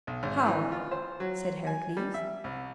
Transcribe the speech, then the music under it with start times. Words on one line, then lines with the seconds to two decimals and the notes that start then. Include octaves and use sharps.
"How?" said Heracles.
0.07 B1
0.23 G#1
0.46 E3
0.72 F4
0.91 C5
1.20 F#3
1.67 G#5
1.97 G3
2.14 E5
2.44 C2